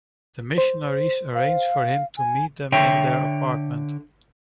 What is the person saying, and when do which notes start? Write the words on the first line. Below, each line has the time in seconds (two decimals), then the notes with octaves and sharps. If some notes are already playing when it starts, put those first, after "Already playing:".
The missionaries arrange for him to meet them in their apartment.
0.58 C5
1.35 F5
2.18 G#5
2.72 D3 C#5 E5 G5